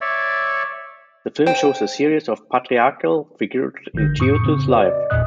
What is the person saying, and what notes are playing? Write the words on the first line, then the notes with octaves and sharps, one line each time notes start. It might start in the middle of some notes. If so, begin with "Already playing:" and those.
The film shows a series of patriarchal figures in Tietou's life.
C#5 D5 E5
C5 G5
A1 D3 D#3 G6 A#6
F2 A2 C#6 D#6 G6 C#7
C#3 C4
F#4 B4 D5
D5 D#5
G#1 E2 A#2 D#5 D#6 F#6